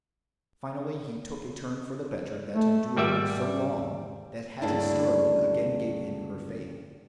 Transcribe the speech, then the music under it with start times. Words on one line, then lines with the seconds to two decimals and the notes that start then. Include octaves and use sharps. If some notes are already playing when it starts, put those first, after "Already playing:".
Finally he took a turn for the better that endured so long that Hattie Sterling again gave him her faith.
2.55 A3
2.97 G#1 G3 D5 E5
4.62 D2 G2 C#3 A#3 D4 E4